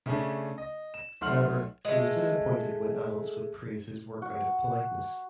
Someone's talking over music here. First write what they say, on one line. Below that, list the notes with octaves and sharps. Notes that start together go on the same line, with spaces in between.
However, he was disappointed when adults would praise his work out of politeness.
C#3 A3 C#4 D4
D#5
E7
B1 A3 F#5 C6 F6 F#7
G#3 A3
F#4